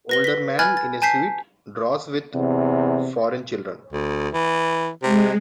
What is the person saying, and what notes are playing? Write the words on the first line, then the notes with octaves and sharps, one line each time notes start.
Older man in a suit draws with foreign children.
B4 A#6 G7
B6 G7
G#5 B5 F6 F#6 G#6 A6
A6
G#5 A5 G6 B6 C7
E2 C3
D2
E3
C3 G#3